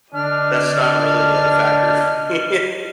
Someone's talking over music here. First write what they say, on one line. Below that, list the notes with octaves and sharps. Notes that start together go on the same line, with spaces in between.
that's not really a factor for me.
D3 D4 D#5 F6